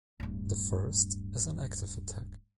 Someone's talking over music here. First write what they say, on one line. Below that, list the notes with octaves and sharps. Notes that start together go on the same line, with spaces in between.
The first is an active attack.
D1 G2